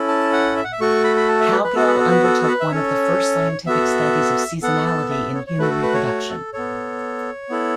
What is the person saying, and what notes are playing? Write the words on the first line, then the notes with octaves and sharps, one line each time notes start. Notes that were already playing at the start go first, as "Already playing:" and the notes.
Cowgill undertook one of the first scientific studies of seasonality in human reproduction.
Already playing: C#4 E4 A4
A5
F#5
E5
F#5
E5
A3 F#4 A4 C#6
B5
B5
A5
E5
B4
B4
B3 F#4 A4
B4
A4
B4
A4
A4
B4
E5
C#4 A4 C#5
B3 F#4 A4 E5
B3 A4 F#5
A5
E5
C#5
C#5
A3 F#4 A4 B4
A4
B4
C#5
C#5
A4
B3 A4 C#5
B3 E4 A4